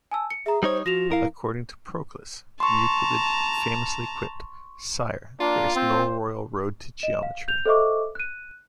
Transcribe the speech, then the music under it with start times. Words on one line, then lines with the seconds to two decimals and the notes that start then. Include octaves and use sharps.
According to Proclus Euclid famously quipped: Sire, there is no Royal Road to geometry.
0.11 G#5 A5 E6
0.30 C#7
0.46 G#4 E5 A#5
0.63 G3 D#4 C5 C#5 D#6
0.86 F3 F#4 A#6 E7 F7
1.10 F2 E4 A#4 F5
2.60 A5 A#5 C6 C#6
5.40 A#3 D4 F4
5.76 C4 C5
7.00 D#5 E7
7.23 F5
7.48 G6 F7
7.66 A4 C5 D#5 E5 C#6 D6
8.15 F#6 D#7